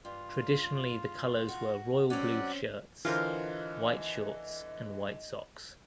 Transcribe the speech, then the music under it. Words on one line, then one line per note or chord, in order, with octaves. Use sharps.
Traditionally the colours were Royal blue shirts, White shorts and White socks.
G2 F4
F#4
F#3 C4 C#4 D5 F#5
D3 E3 F4 A#4 C5 D#5